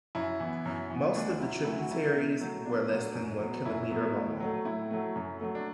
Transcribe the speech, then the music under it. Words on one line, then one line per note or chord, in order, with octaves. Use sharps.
Most of the tributaries were less than one kilometer long.
F#2 E4
E3 B3
F#2
E3 B3
D2 D4
C3 F#3 E4
D2 E4
F#4
C3 F#3 E4
B2
F#3 A3
B2 D4
F#3 A3
F#2
F#3 B3
F#2 E4
F#3 B3
A2
F#3 A3
A2 E4
F#3 A3
F#2
F#3 A3
D4